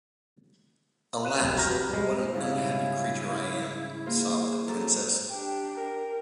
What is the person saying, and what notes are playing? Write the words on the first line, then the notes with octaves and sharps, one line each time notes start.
"Alas, what an unhappy creature I am!" sobbed the princess.
F#6 D#7 E7
F1 C2
F#4 G4 A#5 F6 G6 A#6
B4
G3 G#3
G#2 C#3 G3 E4 F5
A#3 F4 G#4 C5
F#3 A4 A#5
D4 G4 G5
A#4